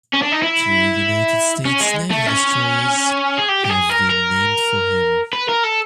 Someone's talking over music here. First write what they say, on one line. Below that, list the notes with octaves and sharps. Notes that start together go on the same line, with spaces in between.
Two United States Navy destroyers have been named for him.
C#4
D4
D#4
E4
C#4
G#3
A3
C#4
G#4
G4
G4
G#4
A#4
A#4
B4
A#4
A4